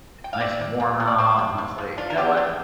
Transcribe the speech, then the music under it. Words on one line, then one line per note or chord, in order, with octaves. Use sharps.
it's nice and warm out, and I was like, "you know what,
G5
F5
C4 D5
C3
C3
F3
D5
C4 C5
C3
C3
F3
D4 F4
A#4
D3 G4
D3